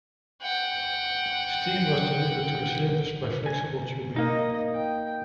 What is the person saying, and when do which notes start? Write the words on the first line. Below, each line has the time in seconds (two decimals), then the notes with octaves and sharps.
Steam was delivered to the cylinders via flexible tubing.
0.42 F#5 G5
3.46 G#5
4.16 A#3 D#4 D#5
4.73 G5